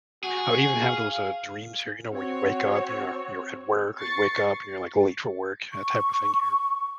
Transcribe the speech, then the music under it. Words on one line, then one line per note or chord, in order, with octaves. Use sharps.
I would even have those, uh, dreams here, you know, where you wake up and you're you're at work or you wake up and you're, like, late for work, that type of thing here
F#4 G#4
F5
C4 F#4 C#5
C#6 A6 C7 C#7
C#6